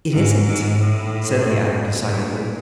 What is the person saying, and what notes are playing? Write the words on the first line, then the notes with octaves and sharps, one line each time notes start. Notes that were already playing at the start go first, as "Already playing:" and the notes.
"It isn't," said the Adder decidedly.
G#2
G#2
A2
A#2